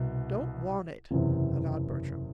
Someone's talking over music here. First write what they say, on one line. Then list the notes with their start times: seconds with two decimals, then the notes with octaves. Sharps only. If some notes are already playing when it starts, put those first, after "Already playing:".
"Don't want it," avowed Bertram.
Already playing: C2 B2
1.11 F#1 E2 C3